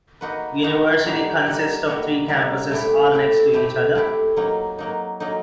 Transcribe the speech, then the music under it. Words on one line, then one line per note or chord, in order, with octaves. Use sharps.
University consists of three campuses all next to each other.
A#3 D#4 F#4 B4
A#3 D#4 F#4 B4
G3 A#3 D#4 F#4
G3 A#3 D#4 F#4
G3 A#3 D#4 F#4
G3 A#3 D#4 F#4
A3 C4 E4 G4
A3 C4 E4 G4
A3 C4 E4 G4
A3 C4 E4 G4
F#3 A#3 D#4
F#3 A#3 D#4
F#3 A#3 D#4